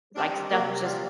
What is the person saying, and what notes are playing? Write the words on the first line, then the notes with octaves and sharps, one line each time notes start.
like, stuff just
G3 C4 D4 D#4
C3 G3 A#3 C4
A#2 G3 D4 F4